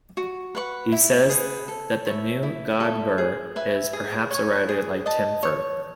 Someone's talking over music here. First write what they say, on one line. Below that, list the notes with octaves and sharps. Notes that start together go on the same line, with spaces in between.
He says that the "new Godber" is perhaps a writer like Tim Firth.
F#4
B4 F#5 C#6
E4
G#4 B4 F#5
A4
C#5 E5 B5
E4
A4 E5
G#4
B4 E5 G#5
G#4
C#5 G#5 C#6
G#4
D#5 A5
C#5